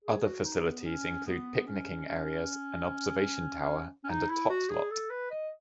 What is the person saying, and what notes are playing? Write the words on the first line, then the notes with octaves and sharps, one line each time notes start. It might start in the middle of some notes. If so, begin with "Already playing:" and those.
Other facilities include picnicking areas, an observation tower, and a tot lot.
G#4
F#4
D#4
B3
C#4
B3
C#4
C#4
C#4
D#4
E4
F#4
G#4
A4
B4
D#5